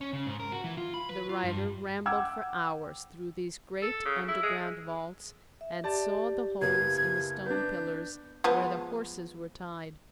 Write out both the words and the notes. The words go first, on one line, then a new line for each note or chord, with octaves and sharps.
The writer rambled for hours through these great underground vaults and saw the holes in the stone pillars where the horses were tied.
C#4
C#3
G#2
A#4
F#4
E3
F4
B5
B4
F4
G2
F#5 G5 D6 E6 G#6
A4
C#3
E4
G#3
E5
G4 D5 A5 A6
F#1 A#3 B3 G#6
B3 D4 G6
F3 G#3 B3